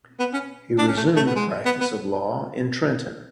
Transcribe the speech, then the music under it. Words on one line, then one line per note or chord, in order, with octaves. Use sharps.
He resumed the practice of law in Trenton.
B3
C#4
D4
C#4
A3
A3
B3
G#3
B3
B3